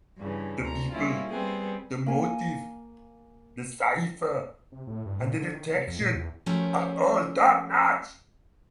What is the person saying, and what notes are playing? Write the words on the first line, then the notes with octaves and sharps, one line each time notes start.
The people, the motive, the cipher, and the detection are all topnotch.
G2 C#3 E3
D2 A#5
G3 A#3 C#4 E4 F4
G3 B3 C4 G#4
A#3 G#5
C3
A2
G2
A#2
D3
D#3
C3
F2
A#2
E2
F3 A3 C#4 F#4 G4 A#4